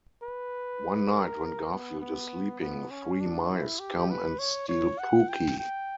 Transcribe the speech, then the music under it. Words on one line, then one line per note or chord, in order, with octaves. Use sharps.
One night when Garfield is sleeping, three mice come and steal Pooky.
B4
A#4
B3
B3
B3
C#4
D4
E4
G4
B4
C#5
C#5
F#5
G5
G5